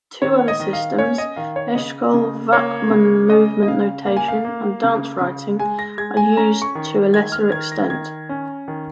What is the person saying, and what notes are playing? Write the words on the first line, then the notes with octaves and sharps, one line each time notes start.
Two other systems, Eshkol-Wachman Movement Notation and DanceWriting, are used to a lesser extent.
D#3 C#5
D#5
D#3
F5
C#4 C#5
D#5
D#3 F5
C#5
C#3 D#5
C#3
A#3 C#5
C#3
C#4 D#5
D#5
C#3 F5
A#3 F5
G#5
F5
A#3
C#3
C#3
G#3 G#5
A#6
G#3 G#6
G#5
C#4 A#5
C#6
D#3
D#3 G#6
F6
D#3 G#6
A#6
D#3 G#6
C#4
D#3